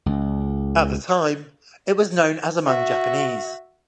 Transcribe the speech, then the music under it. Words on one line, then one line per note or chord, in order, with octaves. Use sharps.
At the time, it was known as among Japanese.
C#2
F#4 E5